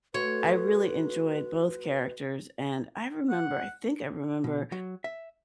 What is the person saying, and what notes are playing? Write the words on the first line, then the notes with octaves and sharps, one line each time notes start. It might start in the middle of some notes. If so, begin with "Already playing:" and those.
I really enjoyed both characters, and I remember- I think I remember-
A3 F#4 B4 C#5
F#5
B2
F#3
E5